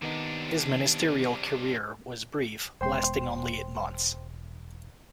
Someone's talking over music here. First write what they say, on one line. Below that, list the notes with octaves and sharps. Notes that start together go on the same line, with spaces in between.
His ministerial career was brief, lasting only eight months.
C3 D#3 B3 D4 D#4
E1 G#3 B3 C5 G5 C6